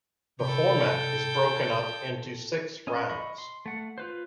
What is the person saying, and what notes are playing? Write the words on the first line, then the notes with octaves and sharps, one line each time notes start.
The format is broken up into six rounds.
C3 A4 G5 B5
C#4 D#5
D#5 B5 C#6
C6
A3 F#5
F4 B4 C5